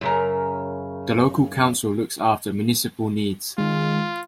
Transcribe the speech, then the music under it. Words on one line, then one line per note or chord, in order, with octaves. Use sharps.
The local council looks after municipal needs.
F#2 C#3 A#4
D#3 G#3 F4